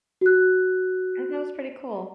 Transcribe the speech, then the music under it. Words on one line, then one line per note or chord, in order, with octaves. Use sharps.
and that was pretty cool.
F#4 F#6